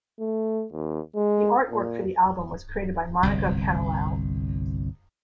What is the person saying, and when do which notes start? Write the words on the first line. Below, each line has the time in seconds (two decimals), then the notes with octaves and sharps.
The artwork for the album was created by Monica Canilao.
0.20 A3
0.72 D#2
1.16 G#3
1.71 A#2
3.23 G1 C2